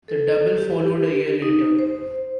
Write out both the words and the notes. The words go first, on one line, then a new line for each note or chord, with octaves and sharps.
The double followed a year later.
A4
G4
D#4
C5